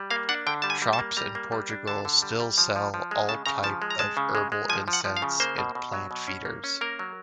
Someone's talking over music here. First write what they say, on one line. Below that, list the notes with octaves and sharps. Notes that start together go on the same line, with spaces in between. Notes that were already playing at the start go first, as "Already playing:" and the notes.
Shops in Portugal still sell all type of herbal incense and plant feeders.
Already playing: G3
A#3 F5
D4 F#5
D3 G5
G3 A5
G#5
G3
A5
A#3
G3 A#5
A#3
G3
D4
D3 A5
D3
G3
G3
F3
F3
F3
G#3
C#3 A5
C#3 A#5
F3 A5
G#3
A#5
G#3 A5
C#3
G#3
G#3
F3 G#5
F3
F#5
F3
F5
C#3
A#3 C5
B2
B2
F#3
B2
C#4
A#3
C#4
A#3 A#4
F#3